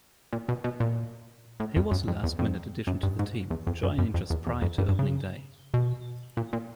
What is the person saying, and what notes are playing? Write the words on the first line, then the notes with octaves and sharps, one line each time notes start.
He was a last-minute addition to the team, joining just prior to opening day.
A#2
B2
B2
A#2
A2
F2
F#2
F2
E2
F2
F#2
G2
G#2
E2
F2
F#2
F#2
F2
E2
E2
F2
G2
G2
C#3
B2
A#2
A#2